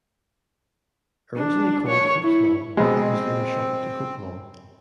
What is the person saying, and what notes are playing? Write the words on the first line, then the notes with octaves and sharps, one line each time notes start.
Originally called Hope's Lawn, it was later shortened to Hopelawn.
D4
C#5
E4
B2 G#3 C4